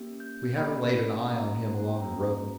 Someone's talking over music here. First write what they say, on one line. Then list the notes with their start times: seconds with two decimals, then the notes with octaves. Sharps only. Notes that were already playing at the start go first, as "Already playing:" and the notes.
We haven't laid an eye on him, along the road.
Already playing: A#3 C#4 G4
0.20 G6
0.56 A#3 C#4 G4 B5
1.29 A#3 C#4 F#4 A#5
1.75 F#5
1.88 G5
2.01 A#3 C#4 F#4 A#5